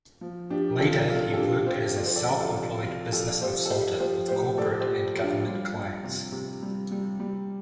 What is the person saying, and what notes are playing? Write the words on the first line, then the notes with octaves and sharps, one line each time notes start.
Later, he worked as a self-employed business consultant with corporate and government clients.
F3
F3 D4 G4
G4
C3 F4 A4
C3 F4 A4
A4
F3 D4 G4
F3 G4 C5
F3 D5
C5
A4 D5
F3
F4 A4
C3
C3 F4
F3 F4 A4
F3 G4 C5
A4
F3 G4 C5
F3 G4 C5
A2 G4 C5
A2 A4 D5
G4 C5
F3
F3 F4
D4 G4
G3 F4
G3
C3
C3
G3
G3
G3